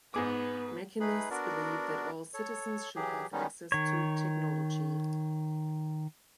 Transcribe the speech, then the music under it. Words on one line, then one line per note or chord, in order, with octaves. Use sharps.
Machinists believe that all citizens should have access to technology.
G#2 B3 G#4 B4 D6
A3 D#4 G#4 B4 B5
B3 D4 F#4 A#4 D5
A4 C#5
E3 F#3 G4 G#4
D#3 G3 G#3 B3 C#4 D#4
D#3 C#5